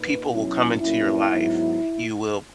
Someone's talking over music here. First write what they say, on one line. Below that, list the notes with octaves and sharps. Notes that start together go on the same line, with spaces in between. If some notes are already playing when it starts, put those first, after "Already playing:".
People will come into your life. You will
Already playing: A#2 A#3 D#4 B4
B2 F#3 C#4 E4
A#2 F#3 C#4 E4
G#2 F#3 B3 D#4